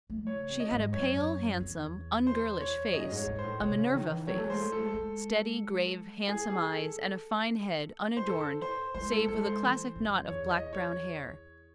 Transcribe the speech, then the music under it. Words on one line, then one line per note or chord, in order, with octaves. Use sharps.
She had a pale, handsome, ungirlish face--a Minerva face--steady, grave, handsome eyes, and a fine head, unadorned, save with a classic knot of black brown hair.
A3
C#3 C#5
C3
D#5
G#2
F#2 C#5
E2
C5
C#5
F#2 D#5
G#2
C#5
G#2
C5
A2
C3 C#5
C#3
D#3
E3
F#3 C#5
A3
G#3
C5
A3
G#3 A4
G#3
G#4
G#4
A4
C5
A4
C5
G#3 C5
A4
G#3 A4
C5
E3
F#2
E2 C#5
D#5
C#5